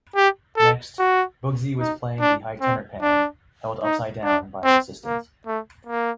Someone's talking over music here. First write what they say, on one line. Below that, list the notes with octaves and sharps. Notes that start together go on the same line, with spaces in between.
Next, Boogsie was playing the high tenor pan held upside down by an assistant.
G4
A4
F#4
D#4
D4
C4
D4
D#4
D4
C4
A#3
A3
A#3